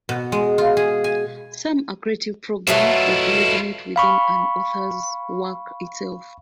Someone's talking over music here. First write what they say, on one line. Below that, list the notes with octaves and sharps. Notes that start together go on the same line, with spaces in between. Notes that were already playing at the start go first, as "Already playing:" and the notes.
Some are creative problems that originate within an author's work itself.
B2
G#3
F4
G#4
G#5
B2 F#3 A3 E4 F4
F5 B5 C#6